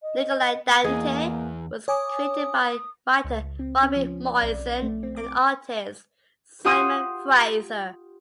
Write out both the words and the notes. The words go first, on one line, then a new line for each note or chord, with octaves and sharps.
"Nikolai Dante" was created by writer Robbie Morrison and artist Simon Fraser.
D#5
E2 E3 A#3 G#4 D#5
C#5 G#5 D6 D#6
C#2
C4
C#4
F3
D5
B1
A3
C4
D6
F4 G4 C5 F#5 C6 D#6